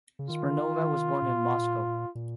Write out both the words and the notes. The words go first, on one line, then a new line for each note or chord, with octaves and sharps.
Smirnova was born in Moscow.
C#3
D#3 F4
A#2
A#2